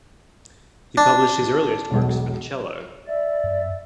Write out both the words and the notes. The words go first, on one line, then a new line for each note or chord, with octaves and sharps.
He published his earliest works for the cello.
D4
E1 B1
D5 E5
F#2